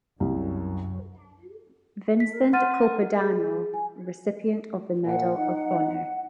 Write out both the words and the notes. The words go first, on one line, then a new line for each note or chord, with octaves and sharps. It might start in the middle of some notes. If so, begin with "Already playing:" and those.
Vincent Capodanno, recipient of the Medal of Honor.
C2 F#2
B6
F#5 C6 F6 A6 D#7
G#4
G#5
A#2 F#5
D#4